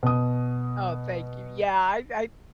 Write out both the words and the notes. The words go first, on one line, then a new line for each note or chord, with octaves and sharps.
Oh, thank you. Yeah. I I
B2 D#6